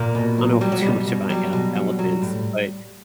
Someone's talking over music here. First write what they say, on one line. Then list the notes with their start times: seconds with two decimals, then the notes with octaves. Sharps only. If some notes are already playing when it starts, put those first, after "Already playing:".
I don't know too much about el elephants, but
Already playing: A#2 A#3
0.15 B2
0.38 F#3
0.61 F#3 G3
0.72 F#3
0.82 B2 G3
1.07 B2
1.30 F#3 G3
1.53 B2
1.75 F#3
1.99 F#3
2.22 A2